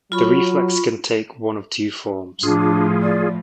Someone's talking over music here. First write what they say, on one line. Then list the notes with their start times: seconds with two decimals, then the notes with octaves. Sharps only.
The reflex can take one of two forms.
0.12 F#3 F4 B5 C#6
2.43 A2 F3 D4 F4 G#4
3.02 D5